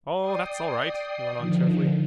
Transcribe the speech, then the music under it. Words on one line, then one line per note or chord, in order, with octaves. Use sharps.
"Oh, that's all right," he went on cheerfully.
D5 G5 D#6 C7
D3 D#3 F3